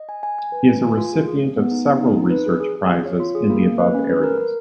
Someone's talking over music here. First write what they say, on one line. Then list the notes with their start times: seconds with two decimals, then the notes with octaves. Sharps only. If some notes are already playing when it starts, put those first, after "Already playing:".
He is a recipient of several research prizes in the above areas.
Already playing: D#5
0.09 G#5
0.23 G#5
0.39 G#5
0.52 B4
0.67 B4
0.82 G#5
0.97 F4
1.12 G#4
1.28 G#4
1.41 G#4
1.57 B3
1.71 D#4
1.86 B3
2.00 D#4
2.16 D#4
2.30 B4
2.46 G#4
2.60 G#4
2.76 G#4
2.91 F4
3.05 C#5
3.20 F4
3.35 G#4
3.50 A#3
3.64 A#3
3.78 B4
3.94 C#4
4.09 B4
4.24 A#4
4.38 A#4